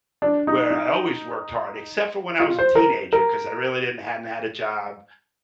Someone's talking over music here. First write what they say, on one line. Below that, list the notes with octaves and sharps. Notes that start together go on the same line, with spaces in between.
where I always worked hard, except for when I was a teenager 'cause I really didn't hadn't had a job
D4
D#4
D#4
F4
C5
A#4
A#4